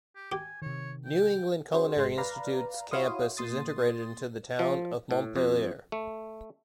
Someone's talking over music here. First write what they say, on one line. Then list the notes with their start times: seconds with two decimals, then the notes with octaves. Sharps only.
New England Culinary Institute's campus is integrated into the town of Montpelier.
0.16 G4
0.32 G4 G#5
0.62 C3 D#3 C#5
1.05 G5
1.73 C#4 F#4 G#4 C5
1.97 G#1 G#3 C6
2.18 B4 D5 F5 A#5
2.91 E4 F#4 C#5 F5 C6 D#6
3.37 A#2 C6 D#6 A6
4.59 F3
5.11 A2
5.36 F2
5.92 A3